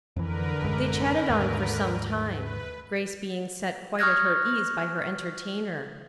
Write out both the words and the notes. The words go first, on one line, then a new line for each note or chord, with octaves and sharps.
They chatted on for some time, Grace being set quite at her ease by her entertainer.
F2 D3 E3 A#4 B4
A1 F#2 G#3
D#2 G#2
B4
C#6 D#6 F6 F#6 G#6 A#6